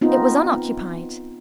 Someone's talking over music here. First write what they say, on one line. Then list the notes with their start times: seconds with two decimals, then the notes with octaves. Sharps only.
It was unoccupied.
0.01 B3 C4 D#4 F4